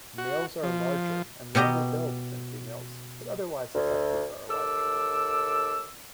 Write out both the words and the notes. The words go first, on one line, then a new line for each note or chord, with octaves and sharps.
Males are larger and longer-billed than females, but otherwise the sexes are alike.
F#4
F3
B2 B3 G4 D#5 A#5
D2
D#2 A4 D6 E6